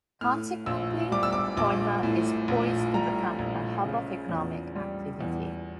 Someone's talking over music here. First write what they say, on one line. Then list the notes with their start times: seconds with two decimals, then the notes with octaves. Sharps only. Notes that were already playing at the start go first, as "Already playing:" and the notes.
Consequently, Hoima is poised to become a hub of economic activity.
0.21 A2 F6
0.66 A#1 E6
1.12 G3 D6
1.23 E6
1.33 D6
1.57 A#1 D6
2.03 A2
2.48 A#1
2.94 G3 A#5
3.39 A#1
3.84 C#3
4.29 E2
4.75 G3
5.21 E2